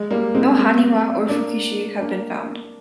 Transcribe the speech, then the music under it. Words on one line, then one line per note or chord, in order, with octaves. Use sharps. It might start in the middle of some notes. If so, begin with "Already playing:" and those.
No "haniwa" or "fukiishi" have been found.
Already playing: G#3
G3 A#3
G#3 C4
G#3
A#3 D4
A#3 D4